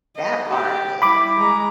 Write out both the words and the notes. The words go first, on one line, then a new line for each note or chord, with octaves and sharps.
That part, yes.
D#5
G4
G3 E4 B5 D6
G#3 A#5